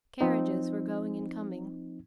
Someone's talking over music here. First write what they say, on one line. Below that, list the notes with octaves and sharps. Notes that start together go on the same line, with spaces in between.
Carriages were going and coming.
F3 C4 D#4